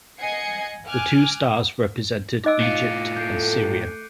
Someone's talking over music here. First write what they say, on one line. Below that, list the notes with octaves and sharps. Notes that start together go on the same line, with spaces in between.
The two stars represented Egypt and Syria.
D#5 F#5 G#5 G#6 C7 C#7
G#5 D6 F6 F#6
D#4 D#5 D6 E6 F#6 D7
A2 F4 C#7 D#7
A3 G6 C7 D7